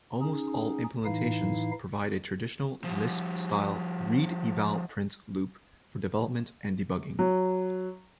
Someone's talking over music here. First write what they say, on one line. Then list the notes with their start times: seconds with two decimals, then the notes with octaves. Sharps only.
Almost all implementations provide a traditional Lisp-style read-eval-print loop for development and debugging.
0.22 C#4 D#4 G#4
1.05 A2 E3 D#4 E4 F5
2.84 F3 G3
7.19 F#3